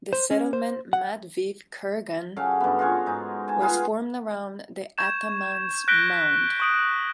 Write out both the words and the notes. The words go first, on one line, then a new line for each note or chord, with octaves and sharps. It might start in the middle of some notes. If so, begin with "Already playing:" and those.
The settlement Matveev Kurgan was formed around the ataman’s mound.
C5
C#4
C5
F#5
C#3 F#3 A4 F5
G2 B3
F4 F#4 G#4 C#5
G#2 D#4
G#5 A5
F4 G#4 B4 F5
C#6 G6 G#6 E7
F#6 G6 A#6 B6 D7 G7
C#6 D#6 D7